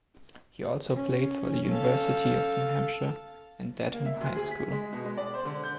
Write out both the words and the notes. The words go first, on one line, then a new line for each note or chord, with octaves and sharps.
He also played for the University of New Hampshire and Dedham High School.
C#4
A4 F5
A#3
E5
D2
G#4
B6
G#3
B2
G#3
D5
C5
D3
G6